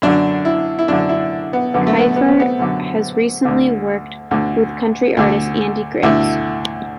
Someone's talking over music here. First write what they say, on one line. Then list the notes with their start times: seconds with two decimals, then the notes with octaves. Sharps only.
Keifer has recently worked with country artist Andy Griggs.
0.02 F#2 D3 D4
0.45 E4
0.79 E4
0.88 F#2 D3 D4
1.09 E4
1.53 B3
1.74 F#2 D3 B3
1.87 A3
1.99 B3
2.16 B3
2.28 C4
2.40 B3
2.59 F#2 D3
3.45 D2 D3
4.31 D2 D3
5.17 D2 D3
6.03 D2 D3 E4